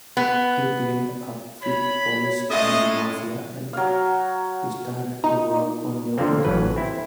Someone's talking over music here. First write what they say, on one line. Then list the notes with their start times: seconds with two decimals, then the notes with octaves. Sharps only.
She teamed up with Polish band Mafia and started to work on new material.
0.17 B3
1.62 C#5 B5
2.50 A2 G#3 C#4 A4 D#5 E5 A6
3.73 F#3 F5
5.24 D#4
6.18 D3 D#3 F3 A#3 C4
6.45 A1 E3 F#3 A3 B4
6.76 C4 E4